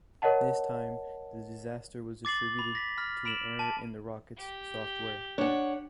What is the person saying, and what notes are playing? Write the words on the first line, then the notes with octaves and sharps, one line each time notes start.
This time the desaster was attributed to an error in the rocket's software.
A#4 C#5 D#5 F#5 A5
D6 A6 C7 F#7
B5
A#6 B6
B5 F6 A#6
B5 D7 E7 F#7
A5
G4
D4 C#5 F#5